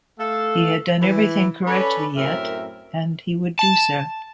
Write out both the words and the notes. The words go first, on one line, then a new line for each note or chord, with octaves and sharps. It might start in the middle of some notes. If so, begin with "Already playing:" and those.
He had done everything correctly yet, and he would do so.
A3 A4 F5
E3 E4
C#4 A4 B4 C#5 D5 B5
F#2 A2 C4 A#4 E5
A5